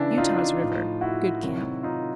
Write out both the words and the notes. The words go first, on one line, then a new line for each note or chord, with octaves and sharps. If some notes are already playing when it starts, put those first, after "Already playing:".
Utah's River.--Good camp.
Already playing: C#3 E3 D4 E4
D#4 F4
A2 F3
E4 F#4
C3 D#3 F#3
D#4 F4